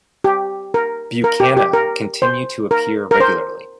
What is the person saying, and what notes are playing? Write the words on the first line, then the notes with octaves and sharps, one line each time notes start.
Buchana continue to appear regularly.
G4
A#4
A#4
G4
G4
A#4
C5
A#4
A#4
C5